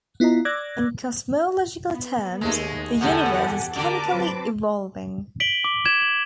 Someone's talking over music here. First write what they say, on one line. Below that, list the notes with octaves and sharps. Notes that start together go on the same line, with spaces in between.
In cosmological terms, the universe is chemically evolving.
B3 E4 F4 D#5 A#5
D5 D6 E6 F#6 G#6 A#6
B3
D#2 G#3 A3
E2 A2 D3 G4 A4 F#5 G#5
D3 G4 A#4 A5 D6
F#3 C4 B4
B6 D7 F#7 G7
D6
G#6 E7
F#7